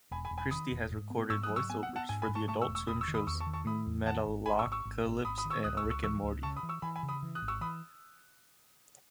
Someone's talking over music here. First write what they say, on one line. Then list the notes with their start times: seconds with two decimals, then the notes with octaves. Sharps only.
Christy has recorded voiceovers for the Adult Swim shows "Metalocalypse" and "Rick and Morty".
0.11 E1 G#5 B5
0.25 G#5 B5
0.31 E1
0.38 G#5 B5
0.51 D#3 B5 D#6
0.71 E1
0.91 G#2
1.10 B3
1.29 G#2 C#6 E6
1.43 D#6 F#6
1.50 F#3
1.56 C#6 E6
1.70 B3 G#5
1.83 F#5
1.89 B3
1.96 F#5 A5
2.09 G#2 G#5
2.22 G#5 B5
2.29 G#2
2.35 A5 C#6
2.48 A3 A5 C#6
2.62 C#6 E6
2.68 E1
2.75 C#6 E6
2.88 E1 B5 D#6
3.01 C#6 E6
3.08 D#3
3.14 B5 D#6
3.27 E2 C#6 E6
3.40 A5 C#6
3.46 D#3
3.54 A5 C#6
3.67 A3 B5 D#6
3.86 E2
4.06 D#3 F#5 A5
4.26 G#1
4.46 G#1 G#5 B5
4.59 C#6 E6
4.65 G#1
4.72 C#6 E6
4.85 G#1
5.05 G#1
5.25 G#1 B5 D#6
5.38 B5 D#6
5.45 D#3
5.50 C#6 E6
5.64 C#2 D#6 F#6
5.77 C#6 E6
5.84 C#2
5.90 C#6 E6
6.03 E3 C#6 E6
6.23 C#2
6.43 C#3 A5 C#6
6.56 B5 D#6
6.63 E3
6.69 C#6 E6
6.82 E3 G#5 B5
6.96 G#5 B5
7.03 C#3
7.09 B5 D#6
7.23 E3
7.35 D#6 F#6
7.42 G#1
7.48 C#6 E6
7.61 E3 B5 D#6